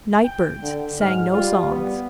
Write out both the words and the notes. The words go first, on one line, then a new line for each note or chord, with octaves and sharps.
Nightbirds sang no songs.
G5
D3
G#2 F6
G3 F4
B3